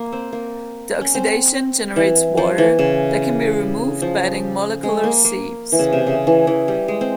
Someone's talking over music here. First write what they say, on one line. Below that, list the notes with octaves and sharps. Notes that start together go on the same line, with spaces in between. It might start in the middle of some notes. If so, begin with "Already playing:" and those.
The oxidation generates water that can be removed by adding molecular sieves.
Already playing: A#3
C4
A#3
C#4
C4
E3
F3
E3
C#3
F3
G#3
A#3
A#3
E3
C#3
C3
C#3
E3
E3
G3
G#3
C4